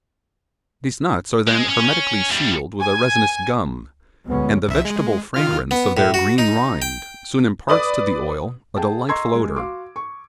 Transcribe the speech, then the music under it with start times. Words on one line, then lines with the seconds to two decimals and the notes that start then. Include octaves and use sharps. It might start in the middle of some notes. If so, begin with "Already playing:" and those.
These nuts are then hermetically sealed with a resinous gum, and the vegetable fragrance of their green rind soon imparts to the oil a delightful odour.
1.47 G#3
1.68 C#4
2.30 E2 G3
2.81 G#5
4.27 D2 G#3 B3 C#4
4.68 C2 E5
4.85 G#3
5.34 D#3 F4 F6
5.71 B3
5.97 A2
6.14 F#4
6.38 D#4
6.82 G5
7.69 B4 D5 D#6
8.76 G#4 G5 A5
9.09 D#5 A#5 C6 C#6 E6 G#6
9.35 G#3
9.56 F#4 F5 C6 D6
9.96 C#6